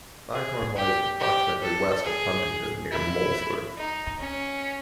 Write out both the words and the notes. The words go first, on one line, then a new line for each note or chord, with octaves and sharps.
Bythorn lies approximately west of Huntingdon near Molesworth.
G#4
G4
G4
A4
G#4
E4
D#4
C#4